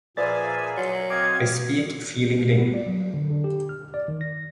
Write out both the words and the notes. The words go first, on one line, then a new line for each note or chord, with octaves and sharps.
I speak feelingly.
A#2 F3 G#4 B4 D5 E5 G#5 A6
F#3 C6
C4 D#5 F5 D6 G#6
B3
D5
F#3
D3
D3
G4
F6
D5
D#3
A#6